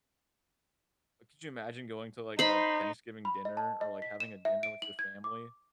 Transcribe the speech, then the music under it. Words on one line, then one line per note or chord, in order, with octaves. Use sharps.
oh could you imagine going to, like, a Thanksgiving dinner or, like, having a dinner with your family
D#4 C5 B5
B5
D#5
A5
D#5
B6
E7
E5
D7
F#7
G#6
D6